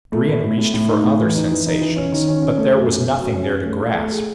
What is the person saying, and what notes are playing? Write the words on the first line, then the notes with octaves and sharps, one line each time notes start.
Brion reached for other sensations, but there was nothing there to grasp.
A3
A2
A2
A2
A2
D#4
A2
E3
D#4
E3
D#4
E3
C#4
D#3
C#4
C#4
A3
F#2
A3
A3
F#2
C#4
C#4
A3
E4
A3
G#4